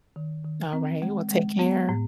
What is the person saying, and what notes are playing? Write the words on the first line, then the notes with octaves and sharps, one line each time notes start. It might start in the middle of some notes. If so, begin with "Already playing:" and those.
Alright. Well, take care.
D#3
D#3
C4
G#3
G#3
B3
A2